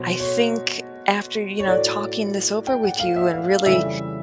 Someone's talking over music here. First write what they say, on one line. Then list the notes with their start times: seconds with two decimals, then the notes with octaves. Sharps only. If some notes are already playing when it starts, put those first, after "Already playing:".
I think after, you know, talking this over with you and really
Already playing: B2 F#3 C5
0.20 C#5
1.59 C#5
1.68 A2 F#3 D5
2.67 G5
2.84 F#5
3.00 F5
3.16 E5
3.33 F5
3.49 F5
3.66 F2 C#3 E3 G3 E5